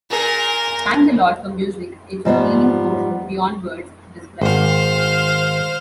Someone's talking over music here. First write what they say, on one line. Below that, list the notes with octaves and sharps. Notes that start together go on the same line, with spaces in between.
Thank the Lord for music; it's a healing force beyond words to describe.
A#2 A#3 G#4 A#4
G#2 F3 G3 B3
G#1 C5 F5